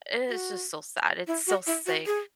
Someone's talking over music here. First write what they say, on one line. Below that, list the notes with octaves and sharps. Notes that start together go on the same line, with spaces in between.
i it's just so sad. It's so sick,
F#4
E4
F#4
E4
F#4
G#4